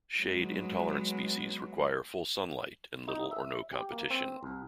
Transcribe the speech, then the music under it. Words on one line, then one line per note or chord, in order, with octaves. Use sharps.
Shade-intolerant species require full sunlight and little or no competition.
F#3 G#3 B3
D#4
E5
G4
A#3
C4
C2